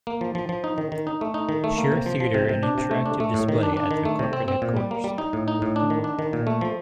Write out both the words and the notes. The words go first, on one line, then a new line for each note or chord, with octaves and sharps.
Shure Theater and Interactive Display at their corporate headquarters.
A#3
F3
F3
F3
D#4
D#3
D#3
D#4
A3
D#4
D#3
A3
A#3
C3
F3
F3
C3
C3
D4
C3
A3
D4
A3
A2
D#3
D4
D4
D#3
A3
C3
C4
C4
A#2
G3
A#3
G3
D#4
A2
D#4
A2
D4
D#3
D4
D#3
A#2
A3
F3